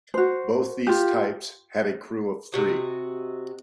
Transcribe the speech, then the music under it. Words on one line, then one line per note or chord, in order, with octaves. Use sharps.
Both these types had a crew of three.
F#4 C5
F4 G4
C3 F#4 D#5